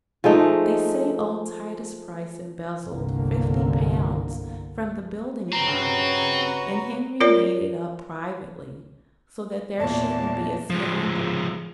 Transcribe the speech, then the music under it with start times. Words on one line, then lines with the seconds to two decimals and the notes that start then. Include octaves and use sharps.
'They say old Titus Price embezzled fifty pounds from the building fund, and Henry made it up, privately, so that there shouldn't be a scandal.
0.24 F3 G#3 A3 D#4
2.84 G1 C2 D3 A#3
5.52 G2 C#3 C4 F#4 B4 C#5 A#5
7.20 F4 A#4 C#5 D5
9.80 E2 A#2 C#5 D5 A5
10.70 F3 G#3